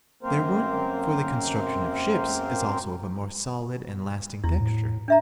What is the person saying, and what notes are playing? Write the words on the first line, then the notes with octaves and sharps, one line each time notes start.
Their wood for the construction of ships is also of a more solid and lasting texture.
F#2 A#3 C4 A#4 C5
E2 E4
A2
D4 E5 A#5